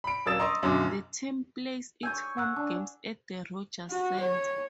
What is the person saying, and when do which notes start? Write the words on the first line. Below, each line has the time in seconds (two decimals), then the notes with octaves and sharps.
The team plays its home games at the Rogers Centre.
0.04 B5 D7
0.26 D#1 F#3 A#3 E6 A6 E7
0.39 D#5 A#5 C6 C#6 D#6
0.62 B1 F#2 D3 F#3 C6 D6
2.03 C#5 G#5 E6 G6
2.37 F#5 E6 F#6
2.56 D4
3.91 F#4
4.21 C#5